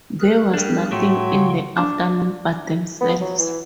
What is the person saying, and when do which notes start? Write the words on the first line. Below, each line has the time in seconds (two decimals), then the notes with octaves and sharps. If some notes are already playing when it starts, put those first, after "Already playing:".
There was nothing in the afternoon but themselves.
0.20 G#4 A#4 F#6
0.54 G3 D4
0.91 A2 F#3 A3 G5 C6 C#6
1.32 C#2
1.77 D4
3.01 B3
3.21 F#3
3.40 E3